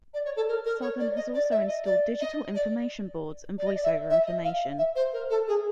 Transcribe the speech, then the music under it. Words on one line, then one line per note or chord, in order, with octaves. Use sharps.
Southern has also installed digital information boards and voiceover information.
D5
C#5
A4
A#4
A#4
C#5
D5
D#5
D5
E5
D#5
D5
D#5
D5
D5
D#5
D5
E5
E5
D#5
F5
E5
C5
A#4
A4
G#4